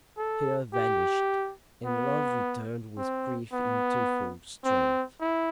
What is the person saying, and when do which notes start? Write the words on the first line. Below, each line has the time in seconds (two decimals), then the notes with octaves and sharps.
Fear vanished, and love returned with grief in twofold strength.
0.17 A4
0.74 G4
1.86 B3
2.97 C4
3.52 B3
4.65 C4
5.20 E4